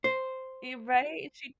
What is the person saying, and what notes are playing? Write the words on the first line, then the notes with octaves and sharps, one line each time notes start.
e right, she
C5